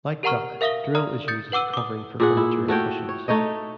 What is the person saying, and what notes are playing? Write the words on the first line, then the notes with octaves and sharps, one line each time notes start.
Like duck, drill is used as a covering for furniture and cushions.
G4 A#4 F#5 A#5 C#6 F6
A#4 E5 F5 D#6 A#6 G7
D5 A#5 D#6 F6
D#6 G6 A6 C#7
B4 F#5 D6 E6 D#7
D6 D#6
A#2 G#4 F#5
E4
A3 F#4 C#5 G5
C#5
A3 D#4 C#5 D#5